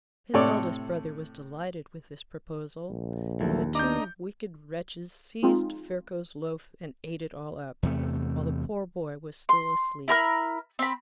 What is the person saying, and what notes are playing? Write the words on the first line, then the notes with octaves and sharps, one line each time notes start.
His eldest brother was delighted with this proposal, and the two wicked wretches seized Ferko's loaf and ate it all up, while the poor boy was still asleep.
A2 C3 A4 C#5 D5
A#1
D#2 E3 F#3 A3
D4 D#5 A#5 D6 G6
F3 G#3 C4 D#4 F4
E2 C3 A3
C6
E4 A#4 B5 F6
C4 B5